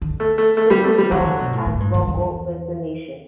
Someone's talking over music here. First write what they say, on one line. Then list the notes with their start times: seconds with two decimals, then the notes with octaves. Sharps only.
This is known as vocal resonation.
0.02 D3
0.20 A3
0.38 A3
0.57 A3
0.70 G3
0.84 A3
0.98 G3
1.11 E3 F#3
1.25 D3
1.39 B2
1.53 A2
1.66 A2
1.80 G2
1.94 G2
2.08 E2